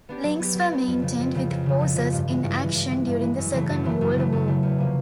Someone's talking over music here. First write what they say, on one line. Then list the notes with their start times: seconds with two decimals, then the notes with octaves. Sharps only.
Links were maintained with forces in action during the Second World War.
0.09 B3 D4 G4
0.24 F#3
0.40 B3 D4 G4
0.55 F#3
0.71 B3 D4 G4
0.87 F2
1.02 C#3 F3
1.19 F2
1.34 C#3 F3
1.50 F2
1.66 C#3 F3
1.81 F2
1.97 C#3 F3
2.13 G2
2.27 E3 G#3
2.44 G2
2.59 G#3
2.64 E3
2.74 G2
2.91 E3 G#3
3.07 G2
3.21 E3 G#3
3.38 F#2
3.53 C#3 E3 A3
3.69 F#2
3.84 C#3 E3 A3
4.01 F#2
4.16 C#3 E3 A3
4.32 F#2
4.47 C#3 E3 A3
4.63 E2
4.78 C3 F3 A#3 C#4